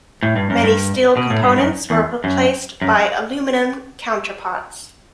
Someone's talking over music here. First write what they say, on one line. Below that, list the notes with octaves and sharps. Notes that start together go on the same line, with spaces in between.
Many steel components were replaced by aluminium counterparts.
A2
G2
F#2
G2
B2
A2
G2
F#2
E2
F#2
F#2